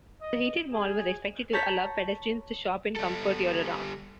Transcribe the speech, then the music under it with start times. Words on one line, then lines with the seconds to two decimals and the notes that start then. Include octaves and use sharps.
The heated mall was expected to allow pedestrians to shop in comfort year-round.
0.21 D#5
0.73 G#4
1.53 C#5 A5 A#5 G6 B6
2.96 G3 A4